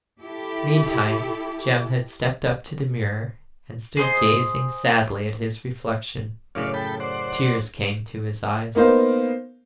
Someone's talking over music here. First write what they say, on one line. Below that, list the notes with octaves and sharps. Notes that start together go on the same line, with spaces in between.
Meantime Jem had stepped up to the mirror, and stood gazing sadly at his reflection. Tears came to his eyes.
E4 G4 A4
G#4 C5 D#5
F#2 A2 C#3 C#5 D5 F5
A4 G5 B5
C5 D5 F#5
A#3 B3 D#4 C5 F5